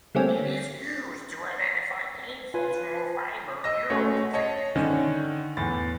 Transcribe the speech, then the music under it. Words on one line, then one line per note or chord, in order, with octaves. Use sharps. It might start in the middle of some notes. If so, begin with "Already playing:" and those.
It is used to identify painful small fiber neuropathies.
D3 G3 A3 A#3 C4 C#4
F4 B4 G#5
D#5 E6 A#6
A3 C#4 F#4 C#5
C#5 D#5 A5
D3 D#3 C#4
E2 A2 A6